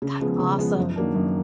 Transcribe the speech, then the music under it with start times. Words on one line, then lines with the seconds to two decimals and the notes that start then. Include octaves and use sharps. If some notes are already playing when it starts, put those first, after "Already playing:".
That's awesome.
0.02 C#3
0.21 F3 G#3 B3
0.39 C#3
0.59 F3 G#3 B3
0.77 F#2
0.96 D#3 F#3 A#3 D4
1.15 F#2